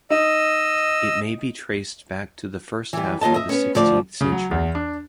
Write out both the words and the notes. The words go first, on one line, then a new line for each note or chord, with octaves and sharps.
It may be traced back to the first half of the sixteenth century.
D#4 D#5 E6
E3 G3
D#2 F4 D#5 A5
D#5 E5
B3 C#4
D2 F3 D5
C#3
F#3
E2
D4